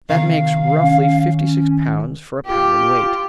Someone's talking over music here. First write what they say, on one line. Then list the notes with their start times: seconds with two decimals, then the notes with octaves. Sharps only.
That makes, roughly, fifty-six pounds for a pound in weight.
0.09 C3 D#3 F5
0.83 C#4
2.46 F4 G4